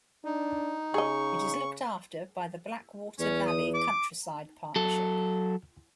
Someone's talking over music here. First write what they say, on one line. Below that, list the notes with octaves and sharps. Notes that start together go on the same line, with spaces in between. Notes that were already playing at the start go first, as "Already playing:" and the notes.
It is looked after by the Blackwater Valley Countryside Partnership.
D4 D#4
C#3 G#4 D#5 C#6
E2 C#4
D#6
D6
F#3 A4